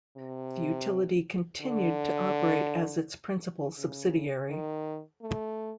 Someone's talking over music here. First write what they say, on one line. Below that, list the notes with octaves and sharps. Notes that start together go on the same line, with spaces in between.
The utility continued to operate as its principal subsidiary.
C3
D3
C#3
D#3
A3